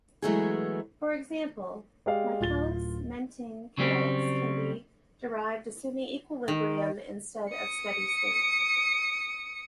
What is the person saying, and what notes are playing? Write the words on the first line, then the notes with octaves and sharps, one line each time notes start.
For example, Michaelis-Menten kinetics can be derived assuming equilibrium instead of steady state.
E3 F#3 G#3 A3 B3 G#4
G#3 G4 D5 F5
D1 F4 A6 G7
C#3 F#3 G3 C4
D#3
D#6 C#7